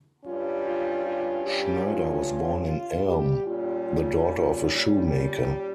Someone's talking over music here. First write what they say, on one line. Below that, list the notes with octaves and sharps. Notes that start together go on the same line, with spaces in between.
Schneider was born in Elm, the daughter of a shoemaker.
G2 G3 C#4 F4
F4
F4
G3 G4
F4
F4
G3 G4
A#2 G3 C#4 F4
F4
F4
G3 G4